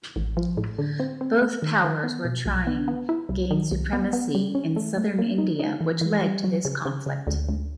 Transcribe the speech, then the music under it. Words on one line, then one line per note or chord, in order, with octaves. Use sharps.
Both powers were trying gain supremacy in Southern India which led to this conflict.
A1
F3
A2
D3
C4
C4
A3
D#3
D#3
B3
B2
B1
B3
B3
E4
C2
D#3
C2
B3
B3
G3
C#4
A3
A3
A#3
D#4
D#4
E3
E3
G3
F#3
C#3
C#3
C#3
D2
D2